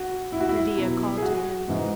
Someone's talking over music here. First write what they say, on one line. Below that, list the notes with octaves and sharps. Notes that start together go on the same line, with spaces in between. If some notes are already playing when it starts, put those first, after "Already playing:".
Medea called to him.
Already playing: F#4
E4
F#4
E4
B2 F#3
G#4
F#4
G#2 E3 G#3